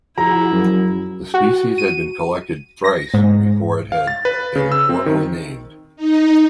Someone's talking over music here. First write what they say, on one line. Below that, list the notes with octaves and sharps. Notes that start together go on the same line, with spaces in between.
The species had been collected thrice before it had been formally named.
F3 E4 F#4 G#4 A#5
F#2
F#4
D#7
A#6
G#2
F5
A6
B4
C#3
E6
C4
D#3
D#4